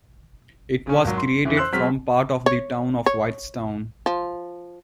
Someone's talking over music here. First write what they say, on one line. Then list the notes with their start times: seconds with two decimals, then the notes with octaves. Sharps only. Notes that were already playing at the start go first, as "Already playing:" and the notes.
It was created from part of the town of Whitestown.
0.87 C#3 C#4
1.05 G#1 F#3
1.17 C6
1.45 F2 C#3 E3
1.57 C5 C6 E6 F#6
1.73 F#3 G#3 C4 F6 B6
2.46 C#5
3.06 C#5
4.06 F3